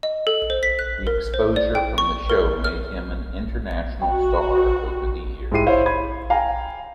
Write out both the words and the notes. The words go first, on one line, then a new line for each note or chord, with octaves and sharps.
The exposure from the show made him an international star over the years.
D#5
A4
C5
B6
F#6
A#4
C5
D5
G5
C#6
A#4
F6
F#4 G5
G#2 G#3 E4 G4 C7 D#7
E4 C5 C#5 E5 F5
B5 G#6
F5 G5 G#5 A#5